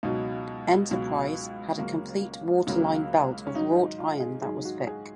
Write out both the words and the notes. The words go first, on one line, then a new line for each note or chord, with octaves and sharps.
"Enterprise" had a complete waterline belt of wrought iron that was thick.
C#2 B2 F#3 D#4
C#2 B2 F#3
C#2 C#3 F#3 A#3 C#4
C#2 C#3 F#3 A#3
C#4
G#2 D#3 F#3 D#4
D#4
F4
G#4
G#2 D#3 F#3 G#4
F#4
G#4